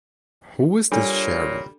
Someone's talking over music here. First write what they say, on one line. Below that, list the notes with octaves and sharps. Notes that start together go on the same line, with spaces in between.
Who is this Sharon?
A#2 G3 D4 A4 C#5